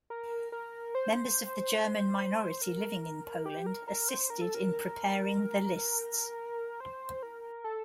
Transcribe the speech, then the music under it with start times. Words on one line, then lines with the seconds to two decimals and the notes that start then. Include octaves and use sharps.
Members of the German minority living in Poland assisted in preparing the lists.
0.10 A#4
0.52 A#4
0.95 C5
2.62 A#4
3.46 G4
3.66 A#4
3.88 A#4
4.09 C5
4.30 A#4
4.41 A4
4.55 A#4
6.80 C5
7.23 A#4
7.64 A4